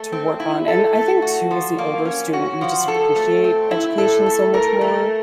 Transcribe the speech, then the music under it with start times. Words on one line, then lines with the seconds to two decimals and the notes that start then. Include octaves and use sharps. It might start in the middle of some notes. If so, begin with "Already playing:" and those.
to work on, and I think too as an older student, you just appreciate education so much more.
Already playing: A3
0.12 C4
0.40 E4
0.68 A4
0.95 A3
1.22 F#4
1.51 F3
1.78 A#3
2.05 C#4
2.33 F#4
2.61 F3
2.88 A4
3.16 A3
3.44 C4
3.71 E4
3.98 A4
4.26 A3
4.54 A#4
4.81 A3